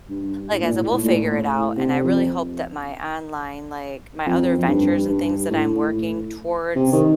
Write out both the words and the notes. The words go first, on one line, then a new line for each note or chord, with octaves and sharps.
like I said, we'll figure it out. And I really hope that my online, like my other ventures and things that I'm working towards
G2
A2
A#2
A2
A#2
A2
A#2
A2
C3
F2
F2
F2
G2
G2
A2
A2
C3
D#3